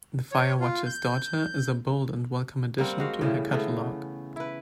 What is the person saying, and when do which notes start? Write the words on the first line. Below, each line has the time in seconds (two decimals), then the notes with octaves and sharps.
The Firewatcher's Daughter is a bold and welcome addition to her catalogue.
0.32 C#5
0.60 F4
0.86 G6
2.78 G3 A#3 C4 F#5
2.98 G#3 F#4 F5
3.21 A2 C#3 E3 G3
3.51 C#3 A3 B3
4.36 E4 B4